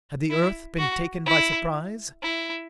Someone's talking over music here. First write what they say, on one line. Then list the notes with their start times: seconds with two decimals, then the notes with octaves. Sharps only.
Had the Earth been taken by surprise?
0.30 E4
0.79 F#4
1.26 E4
2.23 E4